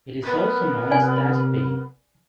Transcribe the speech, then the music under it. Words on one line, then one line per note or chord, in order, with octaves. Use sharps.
It is also known as Tasbih.
B3 A#4
C3 D5 G#5